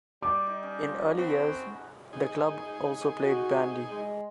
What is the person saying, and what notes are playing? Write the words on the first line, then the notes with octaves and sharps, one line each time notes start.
In early years, the club also played bandy.
G3 D6
D#4
C#4
F3
C4 F#4 B5 C#6
D#4 G#4
F#4
G#3